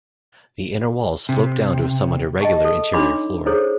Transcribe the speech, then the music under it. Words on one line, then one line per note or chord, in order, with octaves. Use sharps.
The inner walls slope down to a somewhat irregular interior floor.
C3
D#5 G5 A5 C#6
A4
D4 D#4 C#5 B5 C6 D6
E4 G#4 A4 C5 C#5